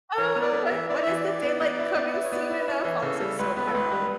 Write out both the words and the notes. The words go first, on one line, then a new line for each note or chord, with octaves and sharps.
"Oh, when when is the daylight coming soon enough?" I was, like, so paranoid.
E3 C#5
B3
D5
B3
E5
E3
E4 D5
E3 E5
D5
E3
B3
B3
E4
B3
E4
C#5
B3 D5
E4
B4
E4 C#5
E3
C#3 A4
G3 A4
C#2 B4
B3 B4
A4
C#2 B4
G3